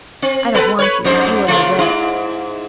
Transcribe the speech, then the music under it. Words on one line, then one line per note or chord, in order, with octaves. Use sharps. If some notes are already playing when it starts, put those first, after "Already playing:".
"I don't want you, you are in the way."
C4
B3 A4 B4
B4 C#5
F2 G#2 C5
C#3 A3 F4
G#2 E4